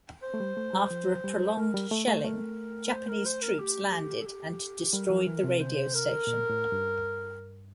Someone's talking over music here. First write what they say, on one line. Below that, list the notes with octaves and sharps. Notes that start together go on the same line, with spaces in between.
After a prolonged shelling, Japanese troops landed and destroyed the radio station.
C5
A3
G3
A3
G3
F3
G3
A3 A#4
G3
A3 A4
A3
C5
A3 A#4
A#4
C5
A#4
C5
A#4
G4
A4
G4
G3 A#4
F3
E3
C3
A#4
C5
A#4
A#2
A2
G2